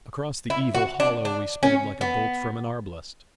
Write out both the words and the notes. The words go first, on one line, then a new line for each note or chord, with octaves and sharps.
Across the evil hollow we sped like a bolt from an arblast.
E4
F#4
D4
D4
C#4
B3